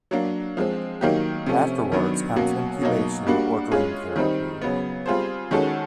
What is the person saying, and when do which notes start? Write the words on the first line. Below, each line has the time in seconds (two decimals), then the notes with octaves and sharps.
Afterwards, comes incubation or dream therapy.
0.11 F#3 A#3 D4
0.57 F3 G#3 C4
1.01 D#3 F#3 A#3 D#4 G4
1.46 C3 F3 A3 C#4
1.92 D#3 F#3 B3 D4
2.36 B2 F#3 A#3 C#4 F#4
2.82 B2 F#3 A#3 D#4
3.27 G3 A#3 D4 F#4
3.72 G#3 C#4 F4 G#4
4.16 D#3 G3 C4 D#4
4.62 C#3 F#3 B3
5.06 G3 C4 F4 G#4 C5
5.51 D#3 G#3 C#4 F#4 A4